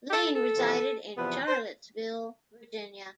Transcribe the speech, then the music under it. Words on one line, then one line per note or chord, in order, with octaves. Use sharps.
Lane resided in Charlottesville, Virginia.
G4
A4
A4
F2 C3 E3
E2 C3 F3 B3 B4
C5